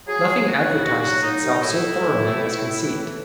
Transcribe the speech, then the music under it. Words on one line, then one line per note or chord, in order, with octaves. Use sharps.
Nothing advertises itself so thoroughly as conceit.
F#3 G#4
F#3
F#3 F#4
D#2
E4
D#2 F#4
F#3
F#3 D#4
D#2
A2 E4
A2
E3
A3
A2
A2
E3
A2